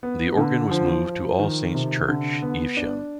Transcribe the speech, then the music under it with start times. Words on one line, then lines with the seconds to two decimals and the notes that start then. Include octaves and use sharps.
The organ was moved to All Saints Church, Evesham.
0.03 B3
0.37 D3
0.71 F3
1.06 F3
1.39 D#3
1.75 C3
2.09 D3
2.42 B3
2.77 D4